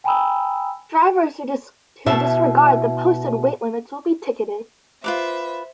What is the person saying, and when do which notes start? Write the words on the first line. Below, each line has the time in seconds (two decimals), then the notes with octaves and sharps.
Drivers who disregard the posted weight limits will be ticketed.
0.04 G5 G#5 A#5 B5 D#6 E6
2.06 B2 E4 E5 A5
5.04 F4 B4 C5 E5 D6